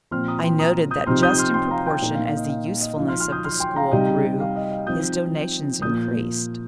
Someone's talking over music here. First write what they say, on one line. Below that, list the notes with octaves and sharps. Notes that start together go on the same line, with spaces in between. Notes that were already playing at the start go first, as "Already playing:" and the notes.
I noted that just in proportion as the usefulness of the school grew, his donations increased.
A#2 F3 C4 C6 F6
A#5 D#6
G5 C6
A#5 D#6
D#6 G6
C3 F3 C4 D#4 C6 F6
D#6 G6
C6 F6
G5 C6
F5 A#5
G5 C6
A#2 A#3 D#4
F5
F5
D#5
F5
F5
D#5
F3 D#4 F5
C6 F6
C6 F6
D#6 G6
C6 F6
G5 C6
F5 A#5
C3 G3 D#4 D#5 G5
F5
D#5
F5
F3 C4 D#4 D#6 G6
A#2 F3 A#3 D#6 G6